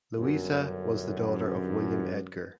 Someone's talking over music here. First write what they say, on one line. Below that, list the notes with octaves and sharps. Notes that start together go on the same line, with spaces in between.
Louisa was the daughter of William Edgar.
G1 F#2